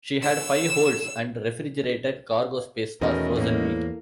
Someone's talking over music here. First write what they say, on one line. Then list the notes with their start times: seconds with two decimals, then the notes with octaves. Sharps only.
She had five holds and refrigerated cargo space for frozen meat.
0.22 E6
3.01 E2 B2 D#3 A3 C#4 A#4 D#5
3.36 A2 A#3